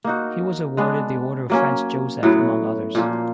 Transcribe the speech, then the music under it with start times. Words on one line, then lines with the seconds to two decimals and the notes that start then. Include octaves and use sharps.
He was awarded the Order of Franz Joseph among others.
0.04 A#3 D#4 F#4
0.77 G#3 B3 D4
1.50 F#3 A#3 C#4
2.23 A2 F#3 B3
2.95 A#2 F3 A#3